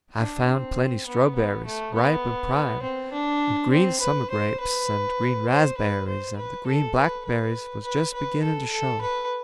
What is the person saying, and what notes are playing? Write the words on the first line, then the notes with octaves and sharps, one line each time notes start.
I found plenty strawberries, ripe and prime; and green summer grapes, and green razberries; and the green blackberries was just beginning to show.
D4
C4
B3
B3
A3
B3
C4
D4
C4
B4
C5
B4
C5
B4
C5
B4
A4
B4
B4
B4
B4
A4
A4
B4